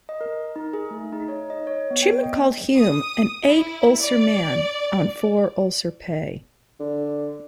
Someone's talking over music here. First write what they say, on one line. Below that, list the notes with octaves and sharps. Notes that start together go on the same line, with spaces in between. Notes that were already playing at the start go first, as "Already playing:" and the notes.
Truman called Hume an eight ulcer man on four ulcer pay.
D#5
A#4
D#4
G#4
A3
D#4
C#5
D#5
C#5
B3
G5
D#5
D#6
E4
D5
D3